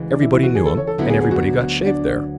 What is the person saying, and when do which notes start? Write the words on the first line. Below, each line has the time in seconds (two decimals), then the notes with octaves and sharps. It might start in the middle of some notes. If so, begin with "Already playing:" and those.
Everybody knew him and everybody got shaved there.
Already playing: D2 C#3 E3 G#3
0.11 D4
0.22 E4
0.32 E4
0.43 F#4
0.55 G#4
0.66 A4
0.77 C#5
0.87 A4
0.98 D2 D3 F#3 B3 E4
1.10 G#4
1.21 G#4
1.31 F#4
1.86 D4